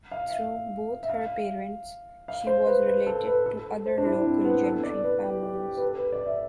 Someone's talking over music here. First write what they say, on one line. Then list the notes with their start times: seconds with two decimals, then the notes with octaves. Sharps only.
Through both her parents she was related to other local gentry families.
0.11 F5
0.31 E5
1.03 E5
1.09 F5
2.28 F5
2.47 C5
2.67 B4
2.86 B4
3.07 A4
3.27 B4
3.46 A4
3.86 C5
3.98 D4
4.05 E4
4.25 C4
4.44 B3
4.64 A4
4.83 D5
5.04 B4
5.23 G4
5.43 G4
5.77 B4
5.82 A4
5.98 B4
6.12 D5
6.26 E5